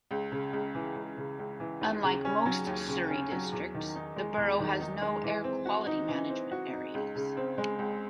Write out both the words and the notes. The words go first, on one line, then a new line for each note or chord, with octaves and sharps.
Unlike most Surrey districts the borough has no Air Quality Management Areas.
C#2
C#3
C#2
E3
C#2
C#3
C#2
E3
D#2
C#3
C#4
F#3
D#2
C#3
C#4
F#3
E2
D#3
D#4
G#3
E2
D#3
D#4
G#3
E3
C4
F#4
D#4
E3
C4
F#4
D#4
C#2
C#3
C4
G#3
C#2